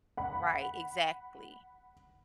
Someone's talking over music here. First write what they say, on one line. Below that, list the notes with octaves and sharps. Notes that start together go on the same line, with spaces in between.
right, exactly.
F#5 B5